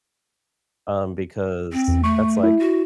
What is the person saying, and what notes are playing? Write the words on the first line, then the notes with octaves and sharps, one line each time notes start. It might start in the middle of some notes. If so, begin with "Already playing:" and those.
um, because that's, like
C4
E2
A3 C#6
E4
F#4